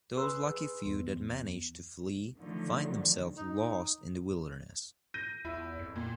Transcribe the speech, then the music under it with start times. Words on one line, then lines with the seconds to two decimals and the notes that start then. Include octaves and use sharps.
Those lucky few that manage to flee find themselves lost in the wilderness.
0.17 G#4 B4 C6 E6
0.86 E2
2.38 D3 D#3 F3 F#3 A3
3.37 D#4
5.14 G6 A#6 D#7
5.45 E2 E4
5.79 F2
5.96 A#2